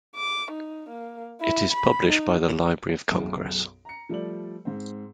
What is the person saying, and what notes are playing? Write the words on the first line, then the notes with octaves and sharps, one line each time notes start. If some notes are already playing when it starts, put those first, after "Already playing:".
It is published by the Library of Congress.
D6
D#4
A#3
E4
B5
D#4
B1 F#2 G#4 D7
A#5 C#7
F3 G3 A3 A4 D5 F#7
G#2 C4